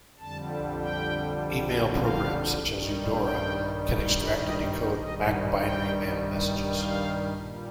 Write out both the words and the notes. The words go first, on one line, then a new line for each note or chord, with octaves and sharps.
E-mail programs such as Eudora can extract and decode MacBinary mail messages.
F2 D3 G3 A5
G5
F5
G2 D#3 G3
G5
D#5
G2 D#3 G3 D#5
G5
F5
A#2 G3